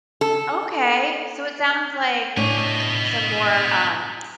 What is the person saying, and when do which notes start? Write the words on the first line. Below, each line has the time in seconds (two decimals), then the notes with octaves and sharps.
Okay, so it sounds like the, uh that was some more, um
0.21 A4
2.37 A2 D4 G4 C#5 G#5
2.57 B3 D#5